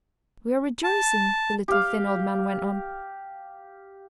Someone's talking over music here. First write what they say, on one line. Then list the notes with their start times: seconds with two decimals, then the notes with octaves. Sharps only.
"We are rejoicing," the little, thin old man went on.
0.84 A5
1.68 G4 F5